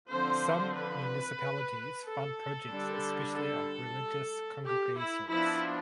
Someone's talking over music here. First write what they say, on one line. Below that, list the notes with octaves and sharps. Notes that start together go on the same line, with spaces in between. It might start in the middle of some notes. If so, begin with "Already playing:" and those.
Some municipalities fund projects especially of religious Congregations.
D3 F3 C4 C5
B4
A4
D3 G3 D4
A4
G4
E4
F3 B3 D4 E4